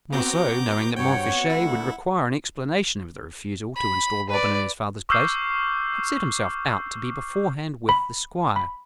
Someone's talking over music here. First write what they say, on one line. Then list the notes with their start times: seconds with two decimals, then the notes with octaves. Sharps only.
Monceux, knowing that Montfichet would require an explanation of the refusal to instal Robin in his father's place, had set himself out to be beforehand with the Squire.
0.12 B3 C4 F#4 A#5 D6 G6
0.96 G2 C#5 F#5 G5
1.50 D2 E4
3.76 B5
4.30 B4 D5
5.09 C#6 D6 E6 F6 G6 C7
7.89 B5
8.56 B5